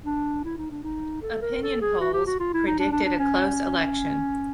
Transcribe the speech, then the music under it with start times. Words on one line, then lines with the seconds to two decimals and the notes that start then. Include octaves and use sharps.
Opinion polls predicted a close election.
0.05 D4
0.44 E4
0.58 D#4
0.71 D4
0.83 D#4
1.22 A4
1.42 A#4
1.62 A4
1.81 G#4
2.01 F#4
2.13 G4
2.26 F#4
2.40 F4
2.54 E4
2.67 D#4
2.79 D4
2.92 D4
3.05 D4
3.19 C#4